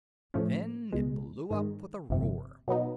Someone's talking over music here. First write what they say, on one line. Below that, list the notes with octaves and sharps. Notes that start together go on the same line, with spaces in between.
Then it blew up with a roar.
A2 F3 A3 C#4
C#2 B2 G#3
G#2 D#3 G#3
G1 F2 C3
B2 F#3 B3 D#4